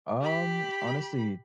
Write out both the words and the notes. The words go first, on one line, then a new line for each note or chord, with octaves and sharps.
Um, honestly
G4 B5